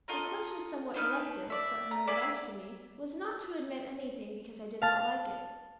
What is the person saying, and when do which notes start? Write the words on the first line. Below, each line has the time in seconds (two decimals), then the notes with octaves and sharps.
The course was somewhat elective, but her advice to me was, not to omit anything because I did not like it.
0.08 F4 A4 D#5 A#5
0.94 D4 D#4 B4 F6
1.50 D5 E5
1.91 A#5
2.07 E4 G#4 D5 E5
4.82 F5 A5 F6